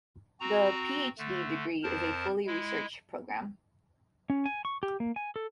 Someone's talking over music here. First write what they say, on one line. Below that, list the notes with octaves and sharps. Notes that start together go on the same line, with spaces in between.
The Ph.D degree is a fully research program.
C4 F#4 A#5
D3 A3
F2 A#4 C5 A5
G#3 E4
C#4
G#5
C#6
G4
A#3
G#5
A4